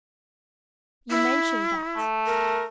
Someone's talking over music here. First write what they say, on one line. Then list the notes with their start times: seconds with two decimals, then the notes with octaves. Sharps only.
You mentioned that.
1.10 E4
1.97 A3
2.26 A#4